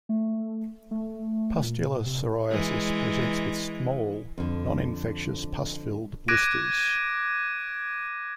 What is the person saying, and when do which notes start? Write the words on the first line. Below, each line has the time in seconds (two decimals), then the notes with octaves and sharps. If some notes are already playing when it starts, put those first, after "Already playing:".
Pustular psoriasis presents with small non-infectious pus-filled blisters.
0.09 A3
0.91 A3
1.63 A#2
2.06 C3
2.51 E3 G#3
4.38 F2 D3
6.28 D6 F#6 G#6 A#6 D7 D#7